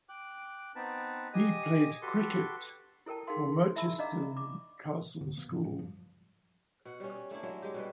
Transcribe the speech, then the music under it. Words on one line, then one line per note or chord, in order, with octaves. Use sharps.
He played cricket for Merchiston Castle School.
G5 D6 F#6
B3 C4 D#4 B4 A5
G4 D#5 G#5
F#4 G4 A4 B4 C6
E4 A4 A#4 G5 A5
D#4 G#4 A#4 F5 C6
E4 E5 A5 B5 E6
D4 D5 D#5 F5 A#5 D6
D6
D2 G#2 D3 A#3
B2 F3 A#3 B3
G#2 C#3
A2 E3
G2 F3
B2 F#5
G3 C#4
A3 A#3 D4 E4
F#3 G#3 A#3 E4
G#3 G4
B2 G3 B4